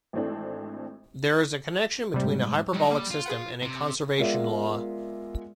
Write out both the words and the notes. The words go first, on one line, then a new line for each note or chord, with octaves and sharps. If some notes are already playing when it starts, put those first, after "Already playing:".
There is a connection between a hyperbolic system and a conservation law.
G#1 E3 A3 C4 D4
G#2 C3 G3 A3
F#3 G3 D#4
G3 A#3
F4
G#4 B4 F#5
C3
G#3 B3 F4 A#4 D5 E5